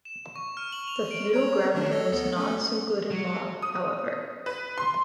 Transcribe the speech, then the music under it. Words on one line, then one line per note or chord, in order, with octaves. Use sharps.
The feudal grounding was not so good in law, however.
E7
C#6
F6
F#7
F7
D7
C#5 A#5
D#3 A3 D4
A4 C#5 D#5
D2 B3 A4
A3 C#4 A4
F#3
D#6
B4
C6